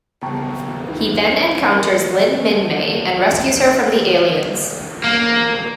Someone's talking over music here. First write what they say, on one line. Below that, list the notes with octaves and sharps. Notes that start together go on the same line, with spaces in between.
He then encounters Lynn Minmay and rescues her from the aliens.
C#3 B3 G5 A5 A#5 C#6
D#4 E4 B4
A#4
A4
A#3